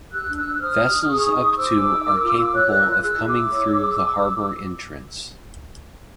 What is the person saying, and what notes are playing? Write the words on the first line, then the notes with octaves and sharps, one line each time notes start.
Vessels up to are capable of coming through the harbour entrance.
G4 E6 F#6
D4
E6 F#6
D4
F#6
C5 D#6 F6
G4
D4
G#4 C#6 D#6
D#4
D#4
C5 D6 E6
G#4
D#4
A#4
F4
F4
C#5 E6 F#6
A#4
F4
G#4 E6 F#6
E4
D6 E6
E4
C#5
G#4